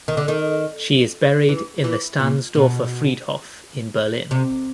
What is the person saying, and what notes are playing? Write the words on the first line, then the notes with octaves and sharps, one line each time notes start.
She is buried in the Stahnsdorfer Friedhof in Berlin.
D#3
D3
D#3
E3
E3
A#2
B2
C3